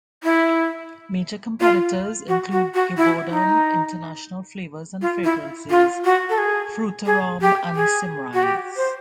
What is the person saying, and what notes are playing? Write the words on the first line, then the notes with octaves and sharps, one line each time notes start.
Major competitors include Givaudan, International Flavors and Fragrances, Frutarom and Symrise.
E4
F4
F#4
F#4
F#4
E4
D#4
F4
E4
F4
F#4
A4
G#4
G#4
G4
G#4
F#4
G4
C5